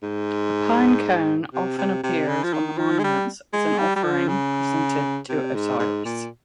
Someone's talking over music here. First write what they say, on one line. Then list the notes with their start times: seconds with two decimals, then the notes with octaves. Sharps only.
A pine cone often appears on the monuments as an offering presented to Osiris.
0.03 G#2
1.54 C3
1.78 C3
2.04 C3
2.29 C#3
2.44 F3
2.54 D#3
2.78 F3
2.99 G#3
3.04 G3
3.53 G#3
3.78 G3
3.96 G3
4.03 F3
4.28 C#3
5.29 C3
5.55 G#2
5.79 G#2
6.05 A#2